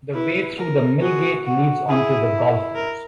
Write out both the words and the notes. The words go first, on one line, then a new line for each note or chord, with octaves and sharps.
The way through the mill gate leads onto the golf course.
E4 B4
A#4
F#4 G#4
F#4
E4 G#4
A#4